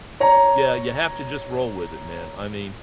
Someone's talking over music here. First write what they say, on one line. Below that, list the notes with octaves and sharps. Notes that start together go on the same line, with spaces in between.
yeah, you have to just roll with it, man. I mean,
C#5 A#5